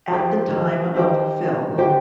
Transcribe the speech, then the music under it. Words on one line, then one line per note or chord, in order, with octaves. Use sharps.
At the time of Phil.
F3 G4 C5 G5
D#3
F3
D#3 G4 C5 G5
D#3
D3 G4 C5 G5